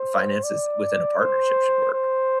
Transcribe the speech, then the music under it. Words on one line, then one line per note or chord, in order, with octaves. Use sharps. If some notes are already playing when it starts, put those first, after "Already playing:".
finances within a partnership should work?
Already playing: C5
D5
C5
C5